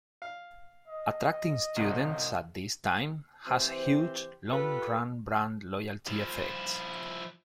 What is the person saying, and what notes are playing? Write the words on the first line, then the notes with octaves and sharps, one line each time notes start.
Attracting students at this time has huge long run brand loyalty effects.
F5
D#5
C2 F#2 A2
E3 C4 E4 G4 C5
F4 G4 A4 B4
F3 E4